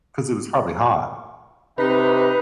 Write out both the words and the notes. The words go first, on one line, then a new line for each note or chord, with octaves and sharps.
'Cause it was probably hot.
C3 D#4 B4